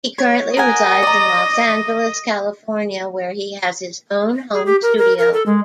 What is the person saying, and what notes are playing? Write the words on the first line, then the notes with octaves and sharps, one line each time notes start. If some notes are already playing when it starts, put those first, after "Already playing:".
He currently resides in Los Angeles, California, where he has his own home studio.
C#5
A#4 D#5 F#5 G#5
D5 A#5
G#4
G4
A#4
A#4
A#4
A4
G#3